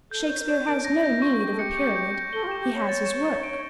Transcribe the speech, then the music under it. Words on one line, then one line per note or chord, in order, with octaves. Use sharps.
Shakespeare has no need of a pyramid; he has his work.
A4 G6
A#4
C#5 G6
A#4
C#5 G6
A#4 D7
C#5 A#6
D5
A#6
E4
F4 C#6
G4 C#6
A4
G4 C#7
G6
G6
G6
A4 G7
F4
G4
E7
G4
C#5 E7
A6
E7
A6
D7